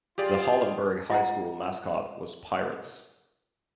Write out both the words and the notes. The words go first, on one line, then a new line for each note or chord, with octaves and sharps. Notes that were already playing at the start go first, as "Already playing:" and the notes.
The Hollenberg High School mascot was Pirates.
F4 G4 G#4 D5
F4 D#5 F#5 A#5